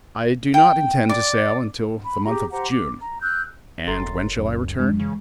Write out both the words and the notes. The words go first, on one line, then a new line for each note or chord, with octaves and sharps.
I do not intend to sail until the month of June; and when shall I return?
G5
D5
B5
G4 G#4 A#5
G4 C5 F#5 A#5
D6
A#5
E6 F#6 G6
F#1 A4 A#5 C6 A6
C#2 F#2
D#1 G#3 D4
C#3 E3